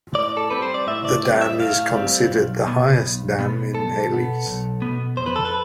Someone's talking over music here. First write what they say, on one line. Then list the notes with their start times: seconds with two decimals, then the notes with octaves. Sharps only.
The dam is considered the highest dam in Elis.
0.15 A2 D5
0.37 A4
0.50 G3 C4 B4
0.62 C5
0.74 D5
0.87 A2 E5
1.05 D5
1.23 G3 C4
1.41 E5
1.60 A2 F5
1.94 G3 C4
2.31 B1
2.66 B2 B3
3.03 B1
3.39 B2 B3
3.74 B1 A4
4.10 B2 B3
4.47 B1
4.82 B2 B3
5.17 F2 C5
5.26 B4
5.36 A4
5.45 B4